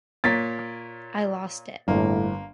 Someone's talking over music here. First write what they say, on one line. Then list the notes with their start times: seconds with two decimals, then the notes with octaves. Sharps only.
I lost it.
0.24 A#2 A#4 C#5 A6 B6
1.88 G1 A2 A#3